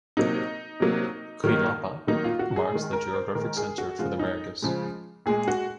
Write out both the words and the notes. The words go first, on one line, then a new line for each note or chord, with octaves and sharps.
Cuilapa marks the geographic center of the Americas.
C3 F#3 A#3 D#4
C3 F#3 A#3
D#3 F#3 A#3
D#3 F#3 A#3 D#4
F4
F#4
G#4
D#3 G#3
A#4
C5
D#3 G#3 A#4
G#4
F#4
C#3 F3 G#3 F4
D#4
C#3 F3 G#3
A#2 G#3 G#4
F#4